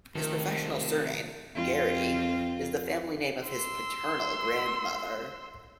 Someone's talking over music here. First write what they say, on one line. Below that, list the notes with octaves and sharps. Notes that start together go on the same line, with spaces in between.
His professional surname, Garity, is the family name of his paternal grandmother.
C3 D#3 F3 A3 A4 A#4
F2 C4 F4
C6 E6